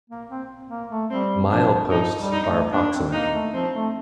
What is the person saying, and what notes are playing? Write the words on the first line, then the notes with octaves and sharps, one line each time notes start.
Mileposts are approximate.
A#3
C4
A#3
A3
G3 C4
F3 D4
F3 D#4
G3
D#4
A3
A#3 D4
C4
A#3 D#4
A3
F3 C4
A3